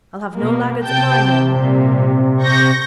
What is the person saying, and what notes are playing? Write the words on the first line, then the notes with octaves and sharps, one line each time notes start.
'I'll have no laggards at my mill.
B2 A#3
C3 G5 A5 G6
A#2 G3
C#6 G6 A#6